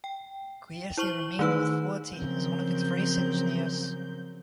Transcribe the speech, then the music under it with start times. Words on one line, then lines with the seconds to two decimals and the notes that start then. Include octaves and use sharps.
Guerci remained with Forti as one of its race engineers.
0.04 G5
0.98 E4 C5 C#6 F#7 G7
1.39 D#3 A3 D#4 B4 E6
2.16 C#3 F3 F#3 C4 A#4 G6